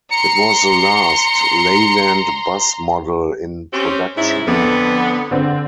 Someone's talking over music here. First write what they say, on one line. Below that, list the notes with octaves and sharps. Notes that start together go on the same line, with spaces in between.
It was the last Leyland bus model in production.
A#5 C6 C#7
C4 C#4 G4
G#2 C#4 E4
F2 D3 B3
D3 C4